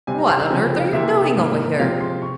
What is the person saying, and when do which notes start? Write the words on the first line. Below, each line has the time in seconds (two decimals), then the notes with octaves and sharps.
"What on earth are you doing over here?"
0.07 C3 G3 C4 G#5
0.19 A#5
0.29 C6
0.40 E6
0.50 C#3 F3 C4 G#5
0.65 G5
0.79 F5
0.93 C3 E3 A#3 E5
1.37 G#2 E3 A#3
1.79 C3 F3 G#3 C4 F5
2.00 C6
2.22 C#6